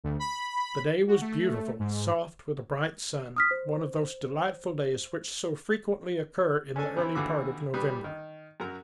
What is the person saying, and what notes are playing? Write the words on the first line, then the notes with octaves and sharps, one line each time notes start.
The day was beautiful, soft, with a bright sun, one of those delightful days which so frequently occur in the early part of November.
D2
B5
F#4
A3
G#2
D#6 F6 B6
C5
C#4 D4 A4 G#5
E3 C4 E4
D#2 D3 E3 F#4 D6 E6
A#2 G3 B4 D#6
D#3
F#2 F#3 A#4 A#5